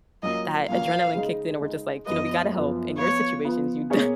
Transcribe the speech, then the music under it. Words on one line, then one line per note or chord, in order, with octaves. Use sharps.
that adrenaline kicked in and we're just, like, you know, "We gotta help in your situations," you d
A#2 F#3 A#3 C#4 D#5
A#2 F#3 A#3 C#4 F5
C#3 G#3 D#4
C#3 G#3 D#4
F#2 F3 B3 F4 B4 D#5
F#2 F3 B3 F4 B4
F3 B3 F4 C#5
F3 B3 F4
B2 A#3 C#4 G#4 C#5